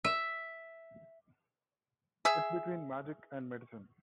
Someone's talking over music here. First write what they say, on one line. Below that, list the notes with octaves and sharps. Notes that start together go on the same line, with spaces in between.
It's between magic and medicine.
E5
G#4 E5